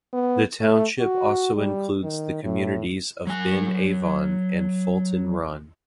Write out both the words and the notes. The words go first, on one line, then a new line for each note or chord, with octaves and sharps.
The township also includes the communities of Ben Avon and Fulton Run.
B3
A3
F#4
G3
D#3
A2
F#3 G#5